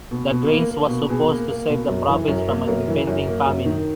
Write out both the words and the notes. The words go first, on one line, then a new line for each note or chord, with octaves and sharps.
The grains was supposed to save the Provence from an impending famine.
B2
B2
A#3
A#3
B2
B2 G#4
A#3
A#3
B2
F#2
E3
F#2
A#3
F#2 A#4
E3
F#2
A#3
F#2
D#3